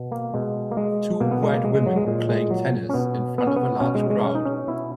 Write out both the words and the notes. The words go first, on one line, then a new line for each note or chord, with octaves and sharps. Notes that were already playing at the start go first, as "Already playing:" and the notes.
Two white women playing tennis in front of a large crowd.
Already playing: B2
A#3
B2 G#3
A#3
G#3
B2 A#3
B3
G#3
A#3
G#3
G#3
F#3
G#3
A#2 G#3
G#3
F#3
C#4
B2 B3
B3
C#4
B3
B2 C#4
G#3
G#3
C#4
D#4
C#4
B2 E4